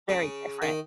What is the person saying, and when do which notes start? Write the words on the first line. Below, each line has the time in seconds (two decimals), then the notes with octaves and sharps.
Very different.
0.09 C#3
0.62 D#3